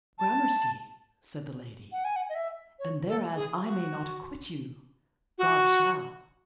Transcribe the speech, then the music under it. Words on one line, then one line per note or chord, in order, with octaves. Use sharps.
Gramercy said the lady, and thereas I may not acquit you, God shall.
A5
F#5
G#5
F#5
D#5
E5
C#5
A4
G#4
F#4
F#4